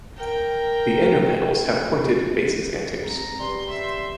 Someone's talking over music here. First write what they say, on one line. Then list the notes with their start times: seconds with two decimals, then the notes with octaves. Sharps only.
The inner petals have pointed bases and tips.
0.16 A#4 G5
3.04 G#2 C4 A#5
3.40 C#3 G3 G4 B4 C6
3.69 C4 E5 C6